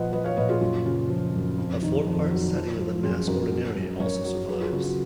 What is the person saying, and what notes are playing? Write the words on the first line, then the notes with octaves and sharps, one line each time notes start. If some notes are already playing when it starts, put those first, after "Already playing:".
A four-part setting of the Mass Ordinary also survives.
Already playing: A#2 F3 B4 D#5 F#5
F3 B4 D#5
C#5 F5
A#2 B4 D#5
F4 G#4
F#2 F4
C#3 F4
F3
F#2
F2
D#3
F2
F#3
F3
F3
F#2 F4 G#4
F#2 F#4 A#4
F#3
F#2
F#2 A#4 C#5
F#3
F#3 G#4 B4
F4 G#4
C#3 F#4
F#4